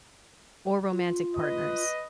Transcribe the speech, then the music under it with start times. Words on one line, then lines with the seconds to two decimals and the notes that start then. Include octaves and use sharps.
or romantic partners.
0.92 F4
1.36 B4 D#5